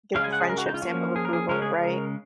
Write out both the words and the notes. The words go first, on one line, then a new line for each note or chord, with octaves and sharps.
Get the friendship stamp of approval. Right?
C#3 G#3 C#4 F5
G#5
F#5
G#4
A#4
F#4
D#4
F4
F3 A#3 C#4 F#4
G#4
A#4
G#4
C#3 G#3 C#4 A#4
G#4
A#4